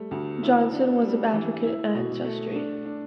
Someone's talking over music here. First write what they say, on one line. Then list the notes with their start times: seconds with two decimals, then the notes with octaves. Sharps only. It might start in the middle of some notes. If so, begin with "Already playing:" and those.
Johnson was of African ancestry.
Already playing: G3 A3
0.11 D2
0.43 E4
0.73 D4
1.03 G3
1.33 E3
1.64 E4
1.95 B2
2.24 A3
2.55 D4
2.85 D4